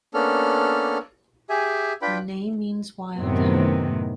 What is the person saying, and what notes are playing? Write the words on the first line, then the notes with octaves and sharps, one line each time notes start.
Her name means "wild hemp".
A#3 B3 C#4 D4 A4 F6
G4 G#4 E5 G#5
D4 F4 B4 G5 B5
F#2 A2 C3 D#3 B3 C4